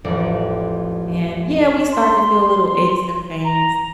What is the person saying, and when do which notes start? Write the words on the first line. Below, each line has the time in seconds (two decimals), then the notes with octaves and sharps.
And, yeah, we start to feel little aches and pains,
0.04 E1 A1 F2 D5
1.92 C6
3.45 A#5